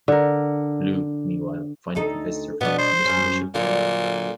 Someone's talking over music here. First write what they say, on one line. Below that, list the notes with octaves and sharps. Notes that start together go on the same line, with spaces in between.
Bleu, meanwhile, finally confesses her feelings to Mr. Bishop.
D3 A#4
D2 D#4 A4
B2 B3 D4
C5
F#2 C#4
A#2 D3 F#3